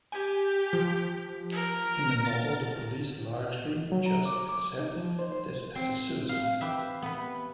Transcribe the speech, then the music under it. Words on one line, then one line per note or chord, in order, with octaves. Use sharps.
In the novel the police largely just accept this as a suicide.
G4 G#5
F3
A#4
A6
F#3
A#5
D6
D6
D#4
F3
C5
C5
C4
F5
G4 B4 E5
B3 B4